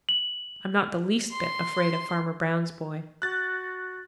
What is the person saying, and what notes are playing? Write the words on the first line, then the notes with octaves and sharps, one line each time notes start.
I'm not the least bit afraid of Farmer Brown's boy.
F#7
C6
F#4 F#6 A6